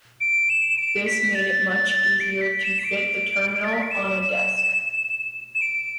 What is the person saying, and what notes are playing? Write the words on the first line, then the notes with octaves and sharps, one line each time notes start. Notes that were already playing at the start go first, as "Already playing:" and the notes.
This made it much easier to fit the terminal on a desk.
D7
E7
D7
B6
A6
D7
B6
E7
B6
D7
A6
B6
D7
E7
E7
D7